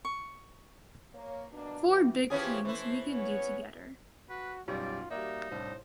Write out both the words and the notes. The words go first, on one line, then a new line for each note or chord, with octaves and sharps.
Four big things we can do together.
C#6
A#3 C#5
B2 A#3 D4
E3
E3 F3 C#4 G4 G#4
E3 A3 E4 C5
B3 C#4 C#5
F#4 B4
B1 F#2 G3 F4 D5
G3 A#3 D#4 F#4 D5 E5
C2 A2 D4 C5